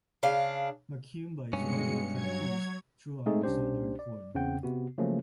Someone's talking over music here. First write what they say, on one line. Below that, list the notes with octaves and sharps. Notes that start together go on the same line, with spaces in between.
Macumba is widely practiced throughout the Southern Cone.
C#3 D4 F5
G2 B2 G#3 C#4 C#7
F#3 C#5 G#6
G#3 A3 C4 D#4 G#4
C2 C#4 D4 G4 C5
D5
E2 C#3 C4 C#4 F#5 G5
C3 B3 F#4
C#3 F3 F#3 A3 A#3 C#4